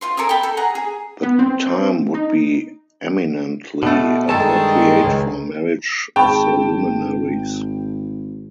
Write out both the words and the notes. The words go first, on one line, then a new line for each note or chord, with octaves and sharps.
The time would be eminently appropriate for a marriage of the luminaries.
F4 C5 C6
A4 A#4 G#5 D#6
G5 A5 B5
A4
G#4 F#5 G#5 A#5
G#4
B3
C4
C4
D#4
B2 A3
G2 D#3 G#3 A4 A5
C#2
G#1 G#4 G5 A5 B5 C#6